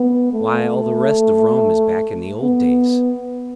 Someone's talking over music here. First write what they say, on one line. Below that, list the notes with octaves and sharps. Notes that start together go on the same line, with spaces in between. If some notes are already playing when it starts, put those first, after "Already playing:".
"Why, all the rest of Rome is back in the old days."
Already playing: B3
A3
B3